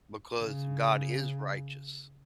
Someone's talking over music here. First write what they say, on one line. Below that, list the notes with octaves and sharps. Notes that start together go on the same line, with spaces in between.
because God is righteous.
C#3